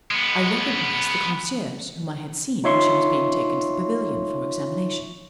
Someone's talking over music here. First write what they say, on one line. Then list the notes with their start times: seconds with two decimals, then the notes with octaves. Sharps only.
I recognised the concierge, whom I had seen when she was being taken to the pavilion for examination.
0.11 G#3 B3
2.64 D#4 F4 C#5 E5 C6 C#6